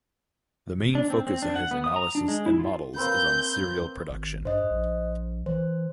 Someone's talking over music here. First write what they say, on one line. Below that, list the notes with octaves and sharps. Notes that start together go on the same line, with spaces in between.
The main focus of his analysis and models is on cereal production.
D4
C4
C4
D4
F#5
B3
D#6
A#5
D4
G#3
E4
F4
A#3 C4 B4 G6
G#1
G2 C5 D#5
A#1
E3 C5